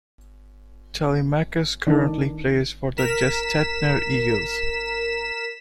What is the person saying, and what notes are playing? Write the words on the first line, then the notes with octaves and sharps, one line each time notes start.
Telemachus currently plays for the Gestetner Eagles.
D#3 D4
A#4 B6 E7